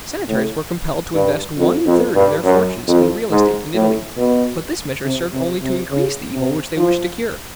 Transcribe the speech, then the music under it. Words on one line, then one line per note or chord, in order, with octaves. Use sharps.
Senators were compelled to invest one-third of their fortunes in real estate in Italy; but this measure served only to increase the evil which they wished to cure.
A2
G2
F2
F2
G2
F#2
F2
G#2
A2
B2
C3
C3
C3
C#3
C3
F3